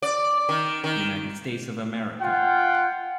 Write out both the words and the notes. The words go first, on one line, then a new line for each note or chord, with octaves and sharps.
United States of America.
D5
D#3
D#3
F4 F#5 G5